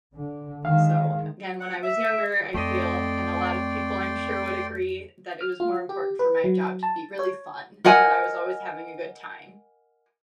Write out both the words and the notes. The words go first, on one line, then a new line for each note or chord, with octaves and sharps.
So, again, when I was younger, I feel and a lot of people I'm sure would agree, that it was more important for my job to be really fun and that I was always having a good time.
D3
D#3 G#3 F5
F#5
E5
F2 A3 C4 D5 D#5 G5 C6
F6
F4
G4
B4
F#3
A5
C#5
A#4 D#5 F#5 G#5